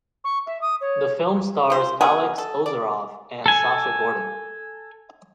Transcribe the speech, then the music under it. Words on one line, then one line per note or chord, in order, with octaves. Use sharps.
The film stars Alex Ozerov and Sasha Gordon.
C#6
E5
D#6
C#5
F4 C5
F#3 B3 G#4 A#4
A4
D5
A4 G#5